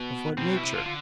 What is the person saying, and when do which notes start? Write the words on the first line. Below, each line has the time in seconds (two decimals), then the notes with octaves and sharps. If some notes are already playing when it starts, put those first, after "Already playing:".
Of what nature?
Already playing: B2 B3
0.37 B2 C4
0.56 E4
0.63 C3
0.75 D3 F4
0.86 F4